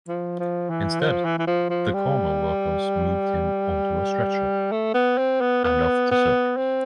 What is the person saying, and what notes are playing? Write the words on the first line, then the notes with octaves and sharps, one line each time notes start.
Instead, the corner workers moved him onto a stretcher and off the circuit.
F3
F3
E3
F3
E3
E3
F3
F3
G3
A3
B3
C4
B3
B3
B3
C4